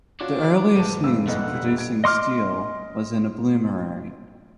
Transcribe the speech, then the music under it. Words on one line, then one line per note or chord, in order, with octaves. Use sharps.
The earliest means of producing steel was in a bloomery.
C#4 D4 F4 F#4 D5 D6
E1 G#2 A5 D#7
F1 B1 E6
G1 F2 A#2 F#5
G3
G#6 D7
D#5 C6 D6 F6